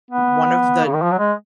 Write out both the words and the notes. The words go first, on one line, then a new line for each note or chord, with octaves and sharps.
one of the
B3
C#3
D#3
F3
F#3
G#3